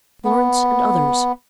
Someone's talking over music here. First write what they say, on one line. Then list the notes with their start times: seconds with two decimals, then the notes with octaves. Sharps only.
Lawrence, and others.
0.25 B3